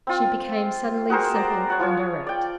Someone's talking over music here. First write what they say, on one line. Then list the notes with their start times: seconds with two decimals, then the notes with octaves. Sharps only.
She became suddenly simple and direct.
0.07 C4 F4
1.10 F#4 G#4 A#4 C5
1.34 D5 A#5
1.67 C#5 F#5 B5
1.79 F3 F4 C#5
2.27 D5 G5